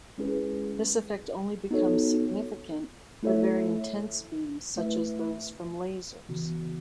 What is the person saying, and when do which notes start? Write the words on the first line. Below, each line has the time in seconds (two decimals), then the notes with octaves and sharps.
This effect only becomes significant with very intense beams such as those from lasers.
0.18 G#3 C#4 E4 G#4 B4
1.71 B3 D#4 F#4 A4 C#5
3.23 A3 E4 A4 C#5 E5
4.76 A3 E4 B4 E5
6.29 C#3 E3 B3 F#4